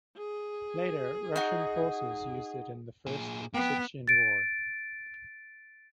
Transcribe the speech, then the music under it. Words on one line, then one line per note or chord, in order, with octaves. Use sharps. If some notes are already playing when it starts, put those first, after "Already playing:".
Later, Russian forces used it in the First Chechen War.
G#4
D#4 F#4
A#2 G#4
F2 B3 G5
A6 D7